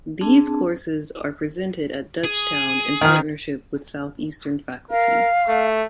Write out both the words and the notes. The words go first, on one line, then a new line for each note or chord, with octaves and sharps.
These courses are presented at Dutchtown in partnership with Southeastern faculty.
C4 D4 G#4 A5
G#4
D#3 F6
A#4 F5
A3